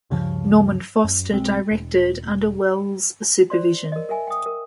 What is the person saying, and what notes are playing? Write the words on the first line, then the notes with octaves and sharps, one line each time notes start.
Norman Foster directed under Welles's supervision.
D2 G2 C#3 F3
F#2
B1 G#3 C4
E1
C5 D5 C6
A#4 D#5
A#4 E5 G#5
G5 D#6
A#4